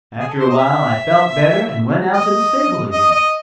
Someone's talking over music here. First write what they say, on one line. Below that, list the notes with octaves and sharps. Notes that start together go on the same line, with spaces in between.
After a while I felt better, and went out to the stable again.
G#4
A4
C5
D#5
E5
D#5
D#5
D#5